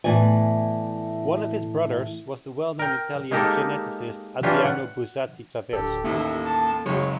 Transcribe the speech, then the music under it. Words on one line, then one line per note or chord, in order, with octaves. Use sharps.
One of his brothers was the well-known Italian geneticist Adriano Buzzati-Traverso.
A2 E3 B3 D5 G#5
A#4 G5
G#3 A#3 D#4 G4 A4 A#4
E3 C#4 D4 F4 G4
F#5
D1 G4 A4
A1 D#2 A#3 E5
A5
F#1 C#2 F#3 C#5